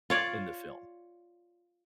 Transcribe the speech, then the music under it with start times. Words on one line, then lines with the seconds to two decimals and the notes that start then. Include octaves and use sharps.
in the film.
0.10 F4 C#5 D5